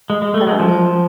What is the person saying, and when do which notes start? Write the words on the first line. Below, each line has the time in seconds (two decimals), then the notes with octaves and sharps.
but, um,
0.10 G#3
0.22 G#3
0.34 A3
0.47 G#3
0.60 F3